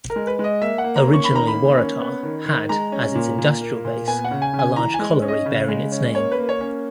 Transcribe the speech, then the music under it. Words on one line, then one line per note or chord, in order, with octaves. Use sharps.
Originally Waratah had as its industrial base a large colliery bearing its name.
A#4
G#3
B4
G#3
D#5
A#3 E5
F#5
A#3
A#5
C#4
C#6
B5
D#3 A#5
B5
A#3
C#4
B3
D#3
D#3
G#3 A#5
C#4
A#2
A#2
A#3
A#2
B3 G#5
F#5
C#3
G#5
C#3
G#5
E3 A#5
G#3 G#5
C#4
D#5
C#3
G#3
C#4
A#3 C#5
B4
A#3
C#5
C#4